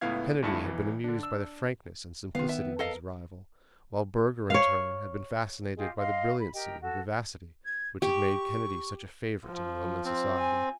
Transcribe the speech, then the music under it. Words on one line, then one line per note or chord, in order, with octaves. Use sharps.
Kennedy had been amused by the frankness and simplicity of his rival, while Burger in turn had been fascinated by the brilliancy and vivacity which had made Kennedy such a favourite in Roman society.
C#2 A2 B3 E4 F5 G#6
D2 G2 E4 A5 C#7
B1 E3
D3 D4
D4 E6
D#3 B3 F4 F5
E5
A4 A#4 D#5 F5
C#5 F5
F4 G4 G#4 D#5
D#5 F5 C6
B5
G4 A#4 D#5 G5
F#4 A4
G#6
G4 C#6
F3
C4
G#5